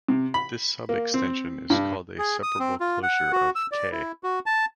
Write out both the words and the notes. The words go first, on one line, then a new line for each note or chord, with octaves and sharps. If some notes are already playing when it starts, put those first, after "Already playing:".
This subextension is called a separable closure of "K".
C3
B5
A#3
C4
G2
G#4
D#6
C4
F4
F#5
F#4
E6
D5
E4
F#4
A5